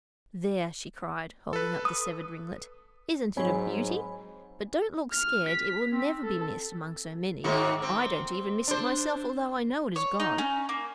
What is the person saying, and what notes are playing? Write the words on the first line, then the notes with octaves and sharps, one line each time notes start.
"There," she cried, holding up the severed ringlet, "isn't it a beauty? but don't look scared, it will never be missed among so many; I don't even miss it myself, although I know it is gone."
A4 B4
D#6
G#2 F#3 C4 C#5 G#5 B5
F6
B6
C4
A4
G#2 D#3 F#4
C4
D4 C5
C#5
D#4
C#4
A#3